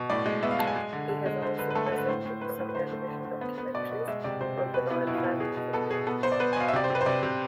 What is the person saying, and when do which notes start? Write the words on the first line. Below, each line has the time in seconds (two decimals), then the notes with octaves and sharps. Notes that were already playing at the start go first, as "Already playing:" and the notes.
He has also presented some television documentaries on the royal families of Europe.
Already playing: B2
0.10 A2 D5
0.26 G#3
0.43 B3 E5
0.51 F5
0.59 G#3 A5
0.67 G#5
0.76 G#3
0.93 D3
1.09 D3
1.26 G#3
1.42 D3 C5
1.59 D3 B4
1.70 B4
1.75 A3 A4
1.86 A4
1.92 D3
1.98 B4
2.09 A2 C5
2.25 A2
2.41 A2 B4
2.59 A2
2.69 B4
2.75 D3 C5
2.91 A3
3.08 D3
3.25 D3
3.41 B3
3.58 B3
3.74 B2 D5
3.91 B2
4.08 G#3 E5
4.24 C3 D5
4.41 C3 C5
4.57 C3
4.74 B2 B4
4.90 B3 E4
5.07 B2 E4
5.14 F4
5.18 E4
5.24 B3
5.40 B2 G#4
5.57 B2
5.73 B3 A4
5.90 B2 G#4
6.07 B3 A4
6.23 B3 C5
6.32 D5
6.40 B3 B4
6.53 G#5
6.56 B2 F5
6.68 E5
6.73 C3 D5
6.84 C5
6.90 C3 B4
7.01 C5
7.06 C3 D5
7.23 C3